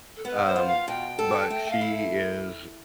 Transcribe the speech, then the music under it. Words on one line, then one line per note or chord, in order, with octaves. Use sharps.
um, but she is
A4
B3 B4
C5
F4
F5
B2 G5
A4
A3 G5
G5
F5
E4